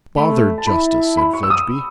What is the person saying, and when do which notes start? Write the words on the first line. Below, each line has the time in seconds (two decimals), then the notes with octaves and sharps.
'Bother justice!' said Fledgeby.
0.17 A3 B5
0.58 A5
0.67 E4 B5
1.17 B5
1.33 C#6
1.43 E6
1.50 D#6